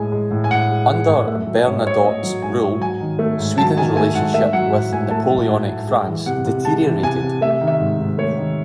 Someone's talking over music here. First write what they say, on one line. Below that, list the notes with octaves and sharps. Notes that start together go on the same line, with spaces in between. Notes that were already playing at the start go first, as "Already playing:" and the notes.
Under Bernadotte's rule, Sweden's relationship with Napoleonic France deteriorated.
Already playing: A2 G#3 G#5
G#3
A2
G#5
A2 F#5
G#3
G#3
A2
A3 E5
F#3
G#2 C#5
D#5
G#2 C#5
A3 D#5
F#3
G#2 G#5
G#2
F#3 G#5
D#3
A3
G#2
F#3 A5
D#3 G#5
A3 G#5
G#2 F#5
A3 E5
F#3 F#5
A2 F#5
A2 G#5
A3 A5
F#3
A2
A2
G#3
E3
C3 F#5
C3
G#3 A5
E3
C3 G#5
C3
A3 E5
D#3
E5
G#2
G#2
A3 C#5
D#3